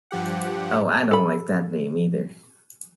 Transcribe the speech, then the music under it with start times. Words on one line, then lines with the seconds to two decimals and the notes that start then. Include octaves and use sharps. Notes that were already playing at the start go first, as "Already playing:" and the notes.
Oh, I don’t like that name, either.
0.11 G2 F3 G4 F#5
1.11 A4 B5